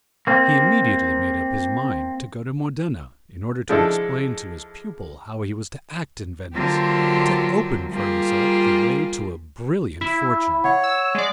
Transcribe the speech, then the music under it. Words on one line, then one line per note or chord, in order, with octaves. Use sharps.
He immediately made up his mind to go to Modena in order to explain to his pupil how he was to act in Venice to open for himself the way to a brilliant fortune.
A#3 C4
F3 G#3 D4 E4 A4
D3 F#3 A#3 F4 G4 C5
G3 A#3 F4 G4 G#4
E4 B6
C#5 F#5
E6
G#3 D5